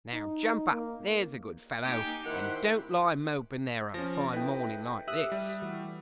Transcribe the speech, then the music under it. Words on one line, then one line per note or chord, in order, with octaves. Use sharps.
Now jump up, there's a good fellow, and don't lie moping there on a fine morning like this!'
D#4
A#3
A#3 D#4 G4 G5 G#5
D#3 E4 G4 C5 F#5
F3 C#4 A#6
E4 A4 B4 D#5 G5
G4 E5 D#6 F#6
G3
E3 A3 F#4